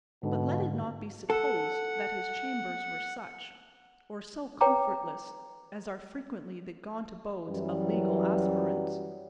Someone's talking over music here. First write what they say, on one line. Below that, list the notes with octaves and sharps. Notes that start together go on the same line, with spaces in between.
But let it not be supposed that his chambers were such, or so comfortless, as are frequently the gaunt abodes of legal aspirants.
G#2 B2 D3
A4 F#5
B4 C#5 G5 A#5 D6
F#2 E3 F#3 G3